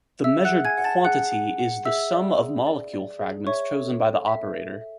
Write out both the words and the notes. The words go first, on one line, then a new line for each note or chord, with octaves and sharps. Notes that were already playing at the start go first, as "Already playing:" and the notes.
The measured quantity is the sum of molecule fragments chosen by the operator.
G#4 E5 E6
F#5 F#6
G#4
G#5 G#6
F#5
A5 A6
G#4 F#5 F#6
F#5
F#5
G#4 E5 E6
D5
G#4
D5
D5
G#4
C#5 E5 C#6
A4
A4
E5
A4
E5